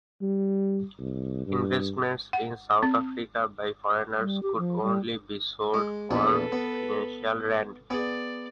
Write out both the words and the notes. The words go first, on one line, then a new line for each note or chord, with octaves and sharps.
Investments in South Africa by foreigners could only be sold for financial rand.
G3
C2
G2
F#5
C4
G3
G4
F3
G3
G#3
A#1 E2 G#4 A4 B4
B3
B3 G#4 D5